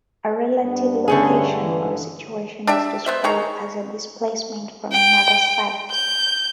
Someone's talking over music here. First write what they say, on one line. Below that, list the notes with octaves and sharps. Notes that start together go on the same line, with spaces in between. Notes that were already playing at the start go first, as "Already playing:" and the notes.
A relative location, or situation, is described as a displacement from another site.
G2 B3
D3 A3 C#4 G#4
E3
D4 G4 E5
B3 C5 E5
D#3 G#4 C#5 A#5
G5
G6